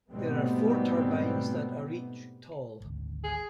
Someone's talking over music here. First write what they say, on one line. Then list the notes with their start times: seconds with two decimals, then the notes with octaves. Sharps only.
There are four turbines that are each tall.
0.12 G#2 B2 G3 A3 B3 C4
2.80 G#1 D2
3.24 G#4